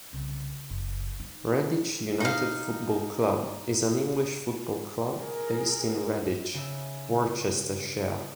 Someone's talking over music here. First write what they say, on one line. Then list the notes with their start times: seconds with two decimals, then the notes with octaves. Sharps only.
Redditch United Football Club is an English football club based in Redditch, Worcestershire.
0.13 C2 C#3
0.70 F#1
1.20 D#4
2.20 D#4 F5
5.19 G#4 A#4
6.54 C#3 E5